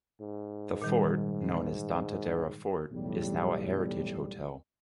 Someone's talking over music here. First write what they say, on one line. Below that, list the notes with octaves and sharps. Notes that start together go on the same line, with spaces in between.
The fort, known as Danta Dera Fort, is now a heritage hotel.
G#2
A#2 D#3 G3
B1 E2 A2 G3